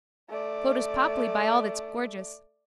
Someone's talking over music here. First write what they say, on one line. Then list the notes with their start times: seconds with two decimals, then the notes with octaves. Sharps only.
Photo's papli, by all that's gorgeous.
0.29 A3 D5